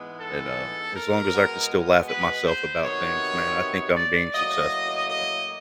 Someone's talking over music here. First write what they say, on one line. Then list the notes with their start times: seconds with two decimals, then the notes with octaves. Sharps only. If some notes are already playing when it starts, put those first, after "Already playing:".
and, um, as long as I can still laugh at myself about things, man, I think I'm being successful, so
Already playing: G#2 E3 G#3 B3
0.20 A4
0.96 A#4
1.33 B2 G#3 B3
2.09 B4
2.47 C5
2.84 C3 D#3 F#3 B3 C#5
3.97 D5
4.34 A2 F#3 A#3 D#5
5.10 D#5